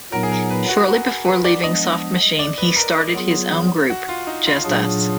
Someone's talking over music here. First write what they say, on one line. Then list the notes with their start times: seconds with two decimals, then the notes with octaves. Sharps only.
Shortly before leaving Soft Machine he started his own group, Just Us.
0.12 A#2 F#3 B3 D#4 A#4
0.23 G#4
0.32 A#4
0.50 B4
0.69 F#4
0.88 F#4
1.26 B4
1.45 D5
1.63 F3 G#3 B3 D4 D#5
2.39 D5
2.58 B4
2.76 A#4
3.14 F#3 B3 F4 G#4
3.90 F#4
4.09 F4
4.27 D#4
4.46 F4
4.65 A#2 F#3 D4 G#4